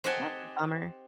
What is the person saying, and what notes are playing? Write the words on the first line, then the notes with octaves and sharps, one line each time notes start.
That's a bummer.
C4 G4 D#5 F#5 G#5 A5